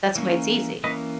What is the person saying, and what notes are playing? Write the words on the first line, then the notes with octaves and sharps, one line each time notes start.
that's why it's easy.
E3 A#3 C#4
E3 A#3 C#4 B4 D#5